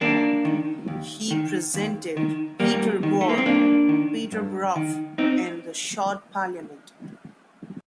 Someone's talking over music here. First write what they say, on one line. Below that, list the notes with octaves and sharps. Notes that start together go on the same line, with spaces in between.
He represented Peterborough in the Short Parliament.
D#2 A#3 D4
D#3
D#2
D#3
D#2
D#3
D#2 G3 A#3
D#3
A3
A#3
C4
G2 A#3 D4
D#3
G2
D#3
C4 D#4